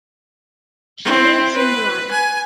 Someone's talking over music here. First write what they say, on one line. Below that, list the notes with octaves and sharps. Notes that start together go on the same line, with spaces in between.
She lives in Milan.
C4 E4
B4
G#5